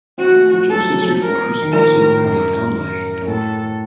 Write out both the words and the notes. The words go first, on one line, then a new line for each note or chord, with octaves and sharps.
Joseph's reforms also affected town life.
C4 F#4
A3
F3
F#3 A4
F#3
F3
A#4
D#3
F3 A#4
A2
A2
F#2 A#4
A#4
F#2
A2 A4